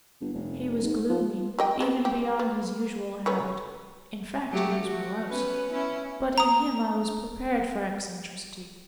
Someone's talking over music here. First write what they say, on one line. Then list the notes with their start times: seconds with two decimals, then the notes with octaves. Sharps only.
He was gloomy, even beyond his usual habit--in fact he was morose--but in him I was prepared for eccentricity.
0.21 G1
0.34 F1
0.82 G#2
1.09 F3
1.59 G4 D#5 G5
1.80 G#3 B3
2.05 G4
2.39 B3
3.26 A3 B3 C#4
4.52 F#3 A3 G4
4.84 F#4
5.29 B3 C#4 B4
5.72 C#4 E4
6.38 A#5 D#6